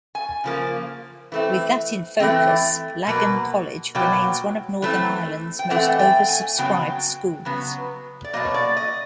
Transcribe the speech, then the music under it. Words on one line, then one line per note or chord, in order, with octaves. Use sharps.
With that in focus, Lagan College remains one of Northern Ireland's most oversubscribed schools.
G#5
C#3 F3 A#3
E3 A3 C4
E3 A3 C4 G5
B2 F#3 A#3
B2 F#3 A#3 G5
E3 A3 C4
G5
E3 A3 C4 F#5
G5
G#5
C#3 F#3 B3 G5
C#3 F#3 B3
D5
B2 F#3 A#3 D#5
C#5
D5
D#5